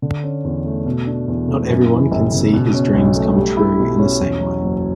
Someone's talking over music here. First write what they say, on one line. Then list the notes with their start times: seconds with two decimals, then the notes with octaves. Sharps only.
Not everyone can see his dreams come true in the same way.
0.02 D3
0.23 C#4
0.44 E2
0.65 A3
0.86 B2
1.07 D4
1.28 E2
1.48 A3
1.69 F#2
1.91 E3
2.11 G1
2.32 C#3
2.53 B2
2.74 C#4
2.95 B1
3.16 A3
3.36 G3
3.57 E4
3.79 B2
3.99 C#4
4.20 E2
4.40 F#3
4.62 F#1